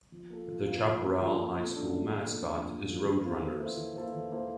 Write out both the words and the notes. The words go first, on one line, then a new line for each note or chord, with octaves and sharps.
The Chaparral High School mascot is Roadrunners.
F3
A#3 F4 A4
F3
A#3 F4 A4
F3
A#3 F4 A4
F3
A#3 F4 A4
A#2
F3 A3 D4 A4
A#2
F3 A3 D4 A4
A#2
F3 A3 D4 A4
A#2
F3 A3 D4 A4
E3
A#3 E4 A4 C5
E3
A#3 E4 A4 C5
E3
A#3 E4 A4 C5
E3
A#3 E4 A4 C5